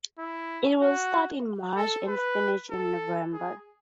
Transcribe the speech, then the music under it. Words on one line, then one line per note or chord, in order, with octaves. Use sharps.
It will start in March and finish in November.
E4
F#4
A4
B4
A4
G#4